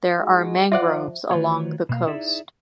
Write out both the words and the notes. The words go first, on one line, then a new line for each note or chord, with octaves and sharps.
There are mangroves along the coast.
G#3 D#4 F#4
F3 F4 C5 D5 E5 F#5
D#3 A3 F4 F#4 C5 C#5
B2 A#3 F5
D#4 E4 G#4 D5 E5